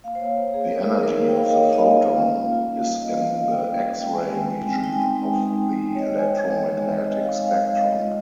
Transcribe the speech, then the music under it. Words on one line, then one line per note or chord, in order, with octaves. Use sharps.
The energy of the photon is in the X-ray region of the electromagnetic spectrum.
A#3 F5
C5
A#3 C#5
A#3
A#3 G#4
G#4
D#4 A#4
D#4 G#4
D#4 A#4
A#3
G5
D#4 F5
D#5
D#4 C#5
D#4 D#5
F5
A#3
F4
C#4
C#4
F4
C#4
G3
G3 D#5
G3 F5
G3 D#5
F4 G5
F4
C#4
G#3 G5
G#5
C4 G5
G#3 G#5
D#4 G5
C4 G#5
D#4 G5
G#5
C4 G5
G#3
D#4
G#3
G#3
G#3
C#5
G#3 D#5
G#3 G#5
G5
G#3
D#4
G#3
D#4
C4 D#5
G#3 D#5
F5
G#3
G#3 F5
G#3 F5
G#3 D#5
F4